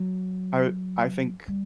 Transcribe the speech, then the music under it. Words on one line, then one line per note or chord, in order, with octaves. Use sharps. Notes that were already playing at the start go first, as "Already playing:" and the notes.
I I think
Already playing: F#3
G3